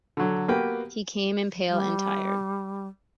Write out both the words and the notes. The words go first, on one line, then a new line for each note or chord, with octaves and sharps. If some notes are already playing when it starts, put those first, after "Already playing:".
He came in pale and tired.
D3 F#3
A#3 B3 F#4 G4 B4 G5
G3